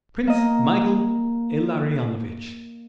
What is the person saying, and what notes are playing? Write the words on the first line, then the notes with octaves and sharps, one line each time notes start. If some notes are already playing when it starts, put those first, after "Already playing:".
Prince Michael Ilarionovich!
A#3 D#5